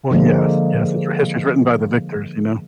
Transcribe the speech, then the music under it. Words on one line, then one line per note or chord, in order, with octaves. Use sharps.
Well, yes, yes, it's history is written by the victors, you know.
D3 F3 G#3 A#3